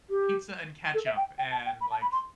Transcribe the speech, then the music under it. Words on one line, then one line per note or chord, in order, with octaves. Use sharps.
pizza and ketchup and, like
G4
A4
E5
G5
G5
A5
G5
B5
A5
B5
C6